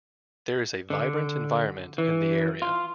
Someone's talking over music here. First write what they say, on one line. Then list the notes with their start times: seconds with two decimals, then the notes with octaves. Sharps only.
There is a vibrant environment in the area.
0.90 D3
1.98 E3
2.62 F4